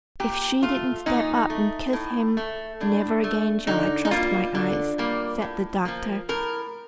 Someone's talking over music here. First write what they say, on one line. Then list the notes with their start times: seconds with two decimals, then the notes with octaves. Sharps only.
"If she didn't step up and kiss him, never again shall I trust my eyes!" said the doctor.
0.20 A#2 G4
0.63 A3 F4
1.06 A#2 D#4
1.50 A3
1.93 A2
2.37 A3
2.80 A2 D4
3.24 A3
3.67 D3 D#4
4.05 D#4
4.11 G3 A#3 F4
4.55 D3
4.98 G3 A#3
5.42 A2
5.85 F3 A#3
6.29 A2 A#4